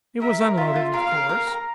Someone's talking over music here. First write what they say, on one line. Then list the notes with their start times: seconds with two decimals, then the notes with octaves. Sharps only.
It was unloaded, of course.
0.21 A#4 E5
0.40 A#4
0.57 F4 E5
0.76 F4
0.93 A#4 F5
1.11 A#4
1.29 A#4
1.47 A#5